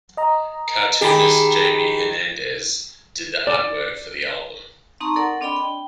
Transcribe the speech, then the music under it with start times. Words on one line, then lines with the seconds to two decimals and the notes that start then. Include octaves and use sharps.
Cartoonist Jaime Hernandez did the artwork for the album.
0.17 D#5 A#5
1.01 D#3 G4 G#4 B5
3.47 D5
5.01 C4 D#4 A5 A#5 C6 C#6
5.16 A4 A#4 D5 F#5
5.41 C4 D4 D5 D#5 G5 B5
5.56 G5